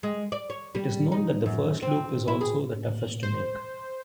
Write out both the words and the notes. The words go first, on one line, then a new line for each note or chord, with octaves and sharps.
It is known that the first loop is also the toughest to make.
G#3
D5
C#5
G3
D#4
F#2
C4
E4
G#4
C5